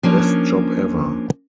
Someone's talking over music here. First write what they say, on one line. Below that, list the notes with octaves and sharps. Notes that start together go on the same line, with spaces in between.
Best job ever!
F3 A#3 C#4 D4